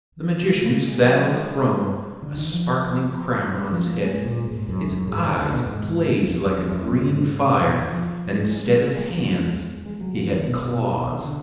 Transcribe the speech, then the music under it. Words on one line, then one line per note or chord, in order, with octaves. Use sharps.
The Magician sat on a throne, a sparkling crown on his head; his eyes blazed like a green fire, and instead of hands he had claws.
G#3
A#3
G#3
F#3
F#3
G#3
D3
D#3
F3
G#3
F3
A#3
G#3
A#2
G#2
F#2
F#2
G#2
D#3
D3
B2
G#2
F2
F#2
F2
F#2
F#2
G#2
B2
D#3
F3
G#3
F#3
A#3
G#3
F#3
G#3
G#3
F#3
F3
D#3
B2
B2
D#3
D3